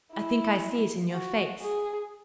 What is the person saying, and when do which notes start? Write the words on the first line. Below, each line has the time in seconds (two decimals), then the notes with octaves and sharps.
I think I see it in your face.
0.13 E4
1.12 F#4
1.62 G#4